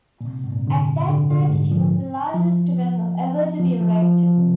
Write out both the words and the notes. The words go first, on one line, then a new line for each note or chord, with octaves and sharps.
At that time she was the largest vessel ever to be wrecked.
A#2
C3
G#2
A#2
C3
D3
D3
D3
G2
G#2
F3
F3
F3
F3
F3
F3
C3